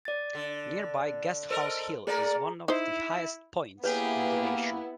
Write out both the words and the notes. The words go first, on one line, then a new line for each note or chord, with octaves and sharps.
Nearby Guesthouse Hill is one of the highest points in the nation.
D5 A6
D3
A4 A#4 C5 D#5
A3 A#3 G#4 D5 A#5
D#4 E4 C5
A#3 B3 E4 G4 G#4 B4 C#5